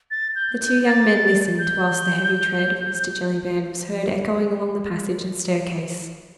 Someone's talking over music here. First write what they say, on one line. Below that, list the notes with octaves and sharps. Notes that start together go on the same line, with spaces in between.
The two young men listened, whilst the heavy tread of Mr. Jellyband was heard echoing along the passage and staircase.
A6
G6
G6
A6
G6